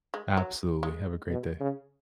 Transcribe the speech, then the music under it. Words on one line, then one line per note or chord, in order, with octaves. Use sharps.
Absolutely. Have a great day.
G#3
F#3
G#3
B2
C#3